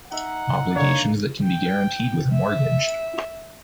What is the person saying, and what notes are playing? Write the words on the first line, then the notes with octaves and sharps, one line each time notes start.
Obligations that can be guaranteed with a mortgage.
D#4 E5 F#5
D3 A#3 D4 D#4 C#5
G5
E5